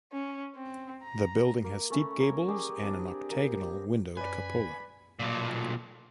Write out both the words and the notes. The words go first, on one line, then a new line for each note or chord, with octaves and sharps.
The building has steep gables and an octagonal windowed cupola.
C#4
C4
A#5
A#3
A3 C#4 A#5 B5
A#3 A#4 C#5
G3 G4 G#4 C6
C4 D4 D#6
A#3
F#2 B4 D5 G#5 B5
B1 A#2